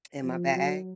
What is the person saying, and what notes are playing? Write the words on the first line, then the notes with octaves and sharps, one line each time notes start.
in my bag,
F3
F#3